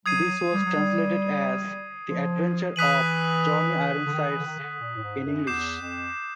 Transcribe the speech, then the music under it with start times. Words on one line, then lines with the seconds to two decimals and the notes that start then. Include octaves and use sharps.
This was translated as "The Adventures of Johnny Ironsides" in English.
0.06 F#3 D#6 G#6 C7 D#7
0.53 G3
0.65 F#3
0.77 G3
2.09 F3
2.76 E3 D#6 F#6 B6 D#7 F#7
4.06 D3
4.13 D#3
4.29 E3
4.39 D3
4.45 D#3
4.58 C#3
4.63 D3
4.80 A#2
4.97 A2
5.02 G#2
5.25 F#2
5.47 E2 D6 G6 C7 E7
5.81 F2